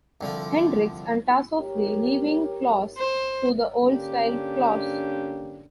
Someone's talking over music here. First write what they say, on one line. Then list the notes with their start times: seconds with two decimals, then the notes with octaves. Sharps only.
Hendricks and Tasso flee, leaving Klaus to the old-style claws.
0.21 C2 D3 F3
1.58 G4 A#4 C#5
2.97 C5
3.83 D3 A#3 C#4 D4 G4